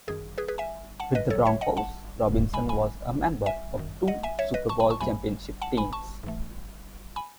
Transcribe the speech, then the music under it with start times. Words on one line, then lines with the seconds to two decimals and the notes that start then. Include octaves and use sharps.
With the Broncos, Robinson was a member of two Super Bowl championship teams.
0.08 G#1 F#2 D#3 G#4
0.38 G#4 B4
0.48 G#4 B4
0.58 E5 G#5
1.00 F#5 A5
1.15 B4 D#5
1.30 C#2 C#3 F#3 A4 C#5
1.45 C#5 E5
1.61 D#5 F#5
1.77 F#5 A5
2.53 B1 A2 G#3 G#5 B5
2.69 G#5 B5
3.46 E5 G#5
3.77 G#1 F#2 D#3
4.08 D#5 F#5
4.23 E5 G#5
4.39 C#5 E5
4.54 B4 D#5
4.69 A5 C#6
4.80 G#5 B5
4.90 A5 C#6
5.00 E2 B2 F#3 A3 G#5 B5
5.62 F#5 A5
5.77 G#5 B5
5.93 A5 C#6
6.23 G#2 E3 A3
7.16 G#5 B5